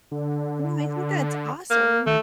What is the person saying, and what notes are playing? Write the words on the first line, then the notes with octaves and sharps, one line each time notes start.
Well, I think that's awesome.
D3
A#3
D#3 A3